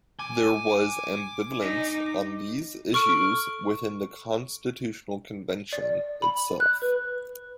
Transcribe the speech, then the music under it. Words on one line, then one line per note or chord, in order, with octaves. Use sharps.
There was ambivalence on these issues within the constitutional convention itself.
G#5 D6
D#4
A4 C#6 F6 D7
D5
B5
F#6
B4